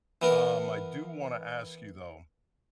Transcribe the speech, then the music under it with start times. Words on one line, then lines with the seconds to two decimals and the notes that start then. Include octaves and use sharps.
um, I do wanna ask you, though,
0.22 E3 B3 A#4